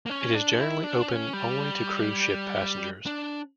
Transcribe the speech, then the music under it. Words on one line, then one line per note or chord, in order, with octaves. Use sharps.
It is generally open only to cruise ship passengers.
A#3
C#4
D4
E4
D4
C#4
G3
D4